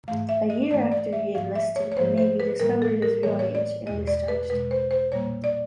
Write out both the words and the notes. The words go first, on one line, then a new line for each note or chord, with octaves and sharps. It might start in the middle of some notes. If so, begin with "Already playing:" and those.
A year after he enlisted, the Navy discovered his real age and discharged him.
G#2 E3 A3 F5
E5
D#5
G#2 E3 A3 D5
D5
E5
G#2 F3 A#3 F5
E5
C#5
C#5
G#2 F3 A#3 C5
C5
B4
A2 E3 G3 A#3 A#4
A4
A#4
A2 E3 G3 A#3 C#5
C#5
D5
E2 B2 G#3 D#5
D5
B4
E2 B2 G#3 B4
C5
C5
A#2 G3 A#3 C#5
D5